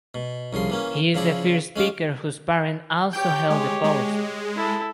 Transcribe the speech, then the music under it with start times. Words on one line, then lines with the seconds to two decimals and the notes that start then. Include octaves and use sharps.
He is the first speaker whose parent also held the post.
0.15 B2
0.53 C2 C#3 F3 C6
0.70 E3 A#3 C#4
1.15 C#3 F3 E4 D5
1.76 G#3 C#4 F4 D6
3.13 G4 C#5 G5 G6
3.50 G#3
3.84 G#3
4.56 E4 A4